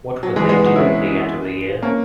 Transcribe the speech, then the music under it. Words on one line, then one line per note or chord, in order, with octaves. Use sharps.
What would they do at the end of a year?
F#3
E3 G#3
G#3 B3
D#4 F#4
C#4 E4
A#3 C#4